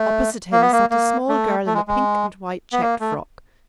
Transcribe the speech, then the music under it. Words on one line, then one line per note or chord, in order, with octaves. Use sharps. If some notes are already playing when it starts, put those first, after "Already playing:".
Opposite him sat a small girl in a pink and white checked frock.
Already playing: A3
A#3
B3
A#3
A#3
A3
A3
G#3
G#3
B3
A#3
A3